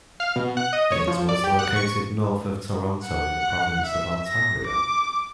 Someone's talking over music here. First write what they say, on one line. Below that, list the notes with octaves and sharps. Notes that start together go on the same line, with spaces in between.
It was located north of Toronto in the province of Ontario.
F5
B2
F#5
D#5
C#5
F3
D5
G4
F#5
C#6
F#5
E5
A#6
D6